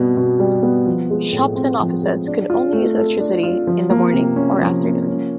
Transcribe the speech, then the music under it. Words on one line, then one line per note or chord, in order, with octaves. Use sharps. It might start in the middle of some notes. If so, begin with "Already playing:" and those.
Shops and offices could only use electricity in the morning or afternoon.
Already playing: B2 G3 B3
B2
G3
B3
F3
G#3
A2
C4
F3
G#3
D4
F4
A3
A4
D4
F4
F3
A#3
C3
C#4
F3
A#3
C#4